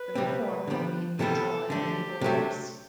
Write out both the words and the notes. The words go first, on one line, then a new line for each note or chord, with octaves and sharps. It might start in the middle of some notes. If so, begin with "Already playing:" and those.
The reform will mean redrawing many borders.
Already playing: B4
C2 C3 G3 C4
D3 G3 B3
C3 E3 G3 B3 A4
D3 A3 D4 G4
C3 F#3 A3